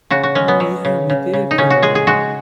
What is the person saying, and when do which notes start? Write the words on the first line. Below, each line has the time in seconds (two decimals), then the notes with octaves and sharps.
"Oh yeah, we did go there."
0.10 C#3 F#4
0.23 F#4
0.35 G#3 C#4
0.48 B3
0.60 F#3
0.85 C#3
1.10 C#3
1.33 C#3
1.51 D#4
1.58 C#3 C#4
1.70 F#4
1.82 G#3 G#4
1.95 G#4
2.07 G#3 F#4